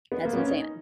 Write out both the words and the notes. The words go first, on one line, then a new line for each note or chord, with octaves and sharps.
That's insane,
B3
A#3
B3
C#4
D#4